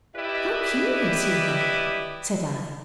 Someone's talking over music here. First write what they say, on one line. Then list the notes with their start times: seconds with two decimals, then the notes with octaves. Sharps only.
"How curious you are!" said I.
0.15 E4 G4 B4 D5 D#5